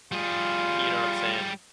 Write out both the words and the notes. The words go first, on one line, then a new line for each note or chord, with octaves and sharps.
You know what I'm saying?
G3 F4 G#4